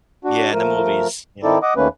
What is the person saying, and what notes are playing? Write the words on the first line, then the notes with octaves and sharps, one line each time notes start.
Yeah, in the movies. Yeah.
D4 F#4
F3 A3 A#4
D#3 C4 D#4 E4 A4 D5
D#5 F#5 D6 D#6
D#2 D#3 A3 A#3 C#4 B4